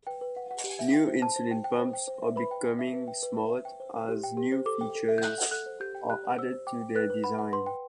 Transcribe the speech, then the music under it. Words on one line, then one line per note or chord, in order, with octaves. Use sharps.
New insulin pumps are becoming "smart" as new features are added to their design.
B4 G5
B4
F#5
F#5
G4
E5
G5
C5
C5 A5
C5
G5
G5
C5
G5
C5
E5
B4 B5
G5
B4
E5
B4
G5
B4
E5
C5
G5
C5
E5
G4
G5
G4
C5
A4 D6
G5
A4
E5
G6
A4 F#6
F#5
A4 F#6
C5
G4 G6
G5
G4 F#6
D5
C5 E6
C5
G5 D6
G5
B4 F#6
B4
F#5 B5
F#5
B4 C6
G5